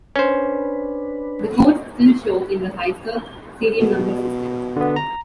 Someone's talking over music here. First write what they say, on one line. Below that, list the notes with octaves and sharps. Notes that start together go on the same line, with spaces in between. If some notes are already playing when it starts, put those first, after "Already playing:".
The codes still show in the Hyster serial number system.
C#4 D4 B4 C5
B2
D3 B3
A#5